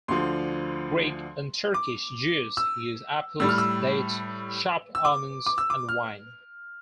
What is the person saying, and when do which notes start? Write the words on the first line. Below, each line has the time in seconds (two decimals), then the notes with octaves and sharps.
Greek and Turkish Jews use apples, dates, chopped almonds, and wine.
0.08 D2 D3 F3 C6
1.74 D6
2.57 E6
3.40 A2 G3 E6
3.49 F6
3.58 E6
4.95 E6
5.05 D6
5.46 D6
5.58 E6
5.70 D6
5.89 F6